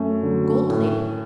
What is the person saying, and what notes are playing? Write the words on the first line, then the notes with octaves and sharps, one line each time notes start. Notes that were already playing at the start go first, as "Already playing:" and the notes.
Gold Plated.
Already playing: F#2 A3 C#4
D3 F#3
A2